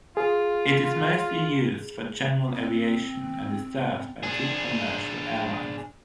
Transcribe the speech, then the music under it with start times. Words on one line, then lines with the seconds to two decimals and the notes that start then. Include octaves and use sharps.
It is mostly used for general aviation and is served by two commercial airlines.
0.17 F4 G#4
2.55 C4
4.23 D4 G#4